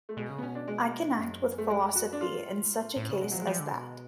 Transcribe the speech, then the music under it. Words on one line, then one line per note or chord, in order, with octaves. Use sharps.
I can act with philosophy in such a case as that.
A3
B2 G#3
C#3
B3
B2 C#4
D4
G#3
F#2
A3
G#3
F#4
D4
G#2 F4
A2
A2
C#3
B2 G#3
F3 F#3
G#3
F3
D3
B2